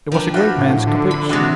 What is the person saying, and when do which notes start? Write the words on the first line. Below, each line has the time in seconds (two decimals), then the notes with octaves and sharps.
It was a great man's caprice.
0.12 F3 D4 A#4 B4 G5
0.34 F4 F#4 B4 E5 G5
0.58 A2
0.87 D3
1.11 B5
1.29 C3 E3 G#3 D4 F#4